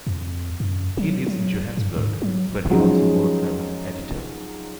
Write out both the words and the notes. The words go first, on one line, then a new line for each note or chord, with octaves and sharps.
He lives in Johannesburg where he also works as an editor.
F2
F#2
F#3
F#3
G2
G#2
F#3
F3 F#3 G#3 C#4 D#4